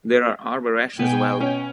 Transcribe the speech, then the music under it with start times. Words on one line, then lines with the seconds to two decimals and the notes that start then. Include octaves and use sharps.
There are Arbereshe as well.
0.99 B2 B3 G5 G#5
1.40 C#4